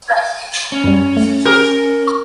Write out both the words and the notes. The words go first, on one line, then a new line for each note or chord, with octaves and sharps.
It is located in Manthani mandal.
C#4
F#2 G3
A3
G4 G#4 A#4 C5